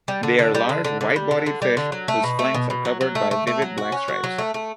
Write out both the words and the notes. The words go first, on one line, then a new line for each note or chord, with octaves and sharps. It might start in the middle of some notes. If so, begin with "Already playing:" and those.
They are large, wide-bodied fish whose flanks are covered by vivid black stripes.
G3
D3
D3
G3
D3
D3
D3
G3
D3
D3
G3
D3
F#3
A3
B2
A3
B2
B2
F#3
F#3
A3
A3
A3
F#3
F#4
C#4
F#4
F#3
A3
A3